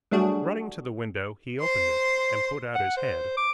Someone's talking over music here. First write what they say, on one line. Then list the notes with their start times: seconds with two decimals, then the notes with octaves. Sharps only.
Running to the window, he opened it, and put out his head.
0.11 F#3 G3 A3 D4 F#4 G#4
1.60 C5 C6
2.75 F#5
2.97 C5
3.37 D6